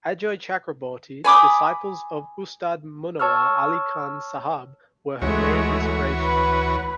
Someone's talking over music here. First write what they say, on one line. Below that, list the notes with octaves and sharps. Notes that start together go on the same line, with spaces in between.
Ajoy Chakraborty disciples of Ustad Munawar Ali Khan Sahab were her main inspiration.
G#5 B5 D6 D#6
C#5 A5 C#6 E6 F6
D2 E3 G#3 A3 F#4 C#5
B4